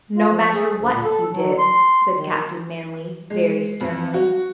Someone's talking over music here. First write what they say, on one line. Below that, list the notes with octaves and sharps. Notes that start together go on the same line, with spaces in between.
"No matter what he did," said Captain Manly, very sternly.
F4
F3
G#4
D2
A#2
A4
F#3
C6
D#3
G#3
F2
F#4